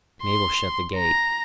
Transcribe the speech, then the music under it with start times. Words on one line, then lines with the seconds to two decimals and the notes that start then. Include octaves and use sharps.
Mabel shut the gate.
0.24 C6
0.96 A#5